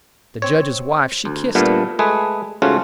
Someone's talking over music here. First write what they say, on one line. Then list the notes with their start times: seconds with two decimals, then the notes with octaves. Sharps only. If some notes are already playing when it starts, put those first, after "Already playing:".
The judge's wife she kissed it.
0.42 C4 C#5
1.25 D2
1.55 G2 A#2 A3 B3
1.99 G#3 A3 G#4 B4
2.62 G#2 C#3 A3 C#4 F4 F#4